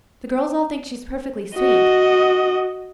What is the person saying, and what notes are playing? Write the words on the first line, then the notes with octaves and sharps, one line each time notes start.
The girls all think she is perfectly sweet.
F#4 D#5